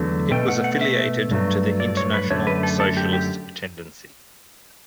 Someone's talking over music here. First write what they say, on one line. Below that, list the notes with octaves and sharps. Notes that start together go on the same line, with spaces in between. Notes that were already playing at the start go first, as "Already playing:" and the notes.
It was affiliated to the International Socialist Tendency.
Already playing: E2 D3 F#3 A3
B2 A3 G5
F#5
F#5
E5
G2 F#3 A3
D5
C#5
B4
F#2 D3 A3 C#5
B4
A4
A4
G4
G4